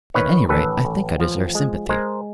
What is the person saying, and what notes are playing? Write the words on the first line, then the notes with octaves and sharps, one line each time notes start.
At any rate I think I deserve sympathy.
D#3 B4 C#5
A1 A4 B4
A1
F3
G#3
G#3 A#4 C5